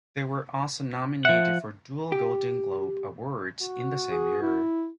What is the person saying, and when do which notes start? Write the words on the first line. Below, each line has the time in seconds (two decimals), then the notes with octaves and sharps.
They were also nominated for dual Golden Globe Awards in the same year.
1.25 F3 E5 F#5
2.12 G4
3.62 F#4
4.11 G#4
4.42 E4